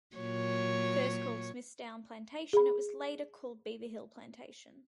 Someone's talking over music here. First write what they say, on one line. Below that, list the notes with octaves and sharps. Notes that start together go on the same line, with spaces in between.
First called Smithstown Plantation, it was later called Beaver Hill Plantation.
A#2 F#3 C#5
G#4 B5